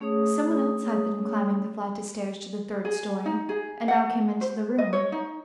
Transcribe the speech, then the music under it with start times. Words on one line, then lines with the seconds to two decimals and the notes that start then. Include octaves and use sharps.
Some one else had been climbing the flight of stairs to the third story, and now came into the room.
0.01 A3 C#4 G#4 C#5 D#6
2.85 G#4
3.26 D#4
3.49 G#4
3.88 F#5
4.41 C5
4.78 D#5
4.93 C#5
5.12 D#4